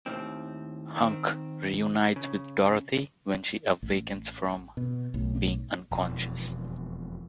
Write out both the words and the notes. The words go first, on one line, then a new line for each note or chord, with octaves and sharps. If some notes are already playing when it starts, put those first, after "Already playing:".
Hunk reunites with Dorothy when she awakens from being unconscious.
D#2 A2 D#3 C4
D#3 C4
C#3
A1
B2
B1 A2
E1 F2 B2 E3